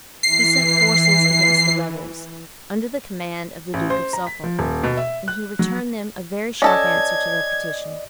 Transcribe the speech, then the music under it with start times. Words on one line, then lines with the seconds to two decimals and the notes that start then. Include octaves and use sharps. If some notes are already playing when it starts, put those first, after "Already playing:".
He sent forces against the rebels, under the command of the duke of Suffolk; and he returned them a very sharp answer to their petition.
0.23 E3 C7
3.74 A1
3.90 C5
4.13 A#5
4.27 B6
4.44 F3
4.59 D#1
4.84 B2
4.97 E5
5.28 F#6
5.59 F#3
6.62 C#4 A4 D5 D#5 A5 G#6